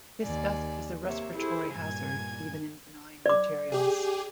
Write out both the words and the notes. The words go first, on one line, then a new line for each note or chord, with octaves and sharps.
This dust is a respiratory hazard, even in benign materials.
D#2 D5 G#5
C3 A#3 C#5 E5
E4 G#4 A4 C5
G2 A#2 G#5 G#6
D5 D6
G4 G#4